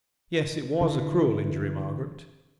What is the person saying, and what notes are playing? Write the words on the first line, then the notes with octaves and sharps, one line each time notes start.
Yes, it was a cruel injury, Margaret.
D3 E3